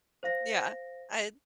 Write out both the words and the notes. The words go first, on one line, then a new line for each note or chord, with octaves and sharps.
Yeah. I'd
C5 F5 A#6